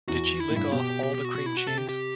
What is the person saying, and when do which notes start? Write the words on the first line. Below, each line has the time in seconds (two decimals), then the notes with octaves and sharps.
Did she lick off all the cream cheese?
0.08 E2 F#4
0.40 E4
0.50 A2
0.56 G2 E4
0.72 B2 G4
1.03 G4
1.14 G4
1.25 F#4
1.35 F#4
1.46 E4
1.57 F#4
1.67 C3 A4
1.78 G4
1.89 G4